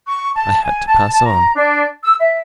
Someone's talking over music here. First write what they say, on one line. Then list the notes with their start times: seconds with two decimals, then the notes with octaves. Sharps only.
I had to pass on.
0.07 C#6
0.35 A5
0.63 G#5
0.86 A5
1.11 A5
1.25 A#5
1.55 D4
2.02 E6
2.18 E5